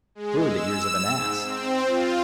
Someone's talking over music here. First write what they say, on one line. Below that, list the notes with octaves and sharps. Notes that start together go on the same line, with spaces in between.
They were the ears of an ass!
G#3
E6
G#2
C4
F4